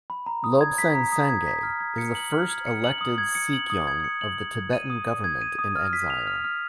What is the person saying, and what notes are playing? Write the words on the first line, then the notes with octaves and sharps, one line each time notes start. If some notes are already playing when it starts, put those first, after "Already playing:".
Lobsang Sangay is the first elected sikyong of the Tibetan Government in Exile.
B5
A#5
D#6
G#6
B6
A#5
D#6
G#6
B6
F6
G#6
C#7
F#7
F6
G#6
C#7
F#7
D#6
G#6
C#7
F#7
D#6
G#6
C#7
F#7
D#6
G#6
D#7
D#6
D#6
G#6
D#7
D#6
F6
B6
F7
F6
F6